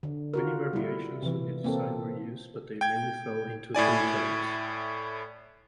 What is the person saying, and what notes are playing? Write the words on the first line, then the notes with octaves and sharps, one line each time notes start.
Many variations on the design were used, but they mainly fell into two types.
D3
F4 F#4 A#4
G3 E4
C3 E3
A#3 C4 A4
G5 G#6
A2 E4 D5 G#5